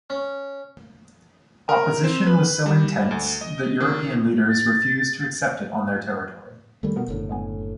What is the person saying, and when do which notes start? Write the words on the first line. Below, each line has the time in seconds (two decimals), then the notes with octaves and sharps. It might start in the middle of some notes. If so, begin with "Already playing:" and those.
Opposition was so intense that European leaders refused to accept it on their territory.
0.10 C#4
1.69 A#4
2.04 C4
2.26 B4
2.66 G3
3.11 D2
3.41 D#5
3.80 D#3
4.48 A6
6.83 D#3 G3 A3
6.96 B2 B3 A#4
7.08 F#1 A2 D3
7.29 G#3 B3 G#5